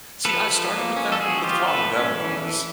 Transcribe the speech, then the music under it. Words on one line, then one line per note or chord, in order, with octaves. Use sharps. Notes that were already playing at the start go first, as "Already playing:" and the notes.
See, I started with them, but the problem with them was,
F3 A4 B4
F3
A#3
C#4
A4
F3 F#4 G#4
F3 F4 G4
A3 A4 B4
C#4
E3
E3